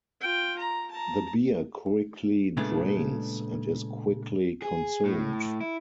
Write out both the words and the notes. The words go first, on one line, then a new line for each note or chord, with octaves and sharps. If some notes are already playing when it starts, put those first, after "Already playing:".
The beer quickly drains, and is quickly consumed.
F4 G5
A#5
A5 A#5
A#2 C#3 G#3 A3 B3 D4
G#4
A2
E4